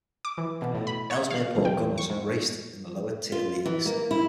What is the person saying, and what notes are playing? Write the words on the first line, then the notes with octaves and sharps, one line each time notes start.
Ellesmere Port Gunners raced in the lower tier Leagues.
D6
E3
B2
A2
B5
C#5
F5
G5
E2
C#6
G#2
F4
E3
A#3
E4